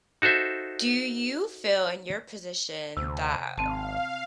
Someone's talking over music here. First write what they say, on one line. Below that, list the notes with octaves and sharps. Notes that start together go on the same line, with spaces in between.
do you feel in your position that
D#4 F#4 A4 C5 E5
D2 C3
G#1 C4 F5 A5